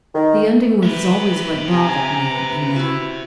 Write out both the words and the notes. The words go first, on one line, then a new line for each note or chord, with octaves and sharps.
"The ending was always what bothered me, you know."
D#3
B4 C5 E5
C3 G#5 A#5
B4
E4 F#4